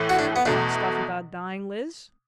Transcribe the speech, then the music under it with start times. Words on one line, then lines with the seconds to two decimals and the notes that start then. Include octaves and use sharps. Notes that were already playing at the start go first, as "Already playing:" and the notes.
'Don't talk stuff about dying, Liz.'
Already playing: A2 E3 A3
0.09 F#4
0.19 D4
0.36 B3
0.46 E2 B2 A3 D4